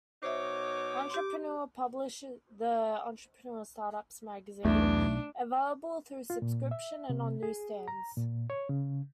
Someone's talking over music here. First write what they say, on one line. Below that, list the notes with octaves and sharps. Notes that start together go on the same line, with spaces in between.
"Entrepreneur" publishes the "Entrepreneur StartUps" magazine, available through subscription and on newsstands.
B2 D#4 C5 C#5 E5 D6
G4 C6
B1 E2 A3 D4
F4
A#2
E5
C3
G#4
A#5
A#2
C#5
C#3